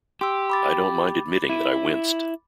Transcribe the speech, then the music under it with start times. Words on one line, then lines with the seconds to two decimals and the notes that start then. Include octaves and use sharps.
I don't mind admitting that I winced.
0.21 G4 C6 E6
0.50 B5 D6 A6
1.49 E4